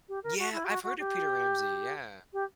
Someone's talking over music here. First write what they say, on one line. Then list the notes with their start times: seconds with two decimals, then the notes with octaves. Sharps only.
Yeah, I've heard of Peter Ramsey, yeah.
0.08 G4
0.23 A#4
0.38 F#4
0.52 E4
0.64 G4
0.68 F#4
0.83 F#4
0.99 G4
2.33 G4